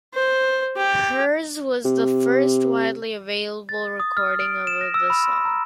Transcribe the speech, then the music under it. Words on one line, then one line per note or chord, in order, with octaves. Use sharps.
Hers was the first widely available recording of the song.
C5
G4
C3
A6
D#6
F6
D7
E7
A#6
E6
B5
C6
A#5